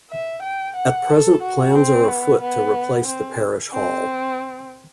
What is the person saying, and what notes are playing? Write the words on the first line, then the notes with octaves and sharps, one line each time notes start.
At present plans are afoot to replace the parish hall.
E5
G5
F#5
A4
F#4
C4
B3
B3
C4
C4